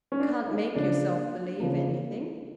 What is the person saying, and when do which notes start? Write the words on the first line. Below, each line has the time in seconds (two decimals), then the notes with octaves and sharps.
You can't make yourself believe anything.
0.12 C#4
0.20 D4
0.48 D#4
0.76 C#3 F3 A#3 D4
1.60 C#3 F3 A#3